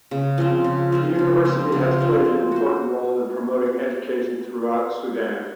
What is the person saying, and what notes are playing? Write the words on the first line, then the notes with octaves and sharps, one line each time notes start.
The university has played an important role in promoting education throughout Sudan.
C#3
F3 C4 F4
C#3
F3 C4 F4
C#3
F3 C4 F4
C#3
F3 C4 F4
C4
F#4 C5